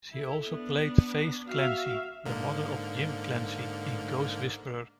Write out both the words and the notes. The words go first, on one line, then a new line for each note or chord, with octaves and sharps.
She also played Faith Clancy, the mother of Jim Clancy in "Ghost Whisperer".
E4 A4
B3 D4
F#4 E5 F5
G#2 D3 A#3